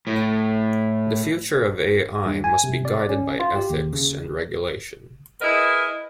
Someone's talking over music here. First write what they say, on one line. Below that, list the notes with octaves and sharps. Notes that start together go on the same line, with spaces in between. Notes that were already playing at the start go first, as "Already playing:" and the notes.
The future of A-I must be guided by Ethics and Regulation.
A2
G2
G#5
C3
D5
C#4
F4
G4
D#2
C#3
E4 G#4 A#4 B4 D#5